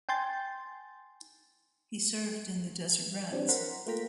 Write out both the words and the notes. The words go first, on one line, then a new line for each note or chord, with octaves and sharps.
He served in the Desert Rats.
G5 G#5 C6 G6 A6
E3 F#3 G3 C4 D4
A#4 C5 F#5 A#5 C6 B6
A3 A#3 F4 G5 A#5 B6